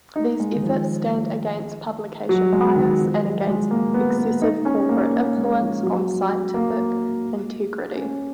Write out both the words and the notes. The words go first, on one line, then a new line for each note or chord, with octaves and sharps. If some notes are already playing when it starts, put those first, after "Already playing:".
These efforts stand against publication bias and against excessive corporate influence on scientific integrity.
D#4
G#3
D#3
F3
F#3
G#3
D#3
F3
F#3
G#3
A#3
B3
B3
D#4
C#4
A#3
A#3
G#3
F3
F#3
A#3
C#4